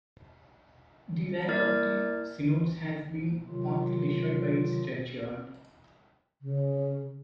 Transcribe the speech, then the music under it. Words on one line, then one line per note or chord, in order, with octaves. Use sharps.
The 'Rath of the Synods' has been partly destroyed by its churchyard.
A#3 E4 A#4 D5 F6 A6
C3 D#3 F#3 F4
C#3